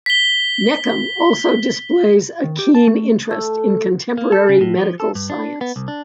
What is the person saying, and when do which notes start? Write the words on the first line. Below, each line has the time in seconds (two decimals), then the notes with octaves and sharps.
Neckam also displays a keen interest in contemporary medical science.
0.06 B6 G7
2.44 D#3
2.59 G4
2.75 A5
2.87 A3
3.31 A3
4.17 A#3
4.32 A4
4.49 C#3
4.61 A2
4.77 F3
5.00 A4
5.15 G2
5.30 D4
5.61 B3
5.76 C2
5.88 D4